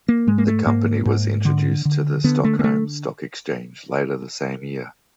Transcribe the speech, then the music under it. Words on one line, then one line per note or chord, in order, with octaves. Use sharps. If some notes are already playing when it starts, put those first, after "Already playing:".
The company was introduced to the Stockholm Stock Exchange later the same year.
A#3
G#2 G#3
A#3
A3
G#2 A#3
G#2
D3
D3
D3 B3
A3
A#3
A3